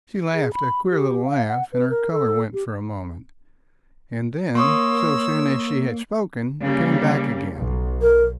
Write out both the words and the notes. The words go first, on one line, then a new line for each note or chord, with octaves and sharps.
She laughed a queer little laugh and her color went for a moment, and then so soon as she had spoken, came back again.
G#4
B5
G4
F5
F#5
B4
A#4
A4
G4
A#3 A#4 C#5 C6 C#6 D#6 E6
C#3 G3 A#3
B1
A#4